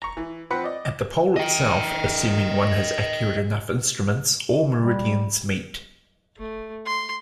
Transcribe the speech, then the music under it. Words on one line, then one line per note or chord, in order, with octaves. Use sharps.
At the pole itself, assuming one has accurate enough instruments, all meridians meet.
A#5 C#6
E3
F3 C4 B4 F#5 B5
D5 D#5
D#5 G5
G3
A3
C6